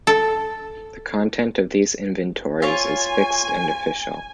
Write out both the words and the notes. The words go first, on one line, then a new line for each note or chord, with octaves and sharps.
The content of these inventories is fixed and official.
A4
F4 C#5 G#5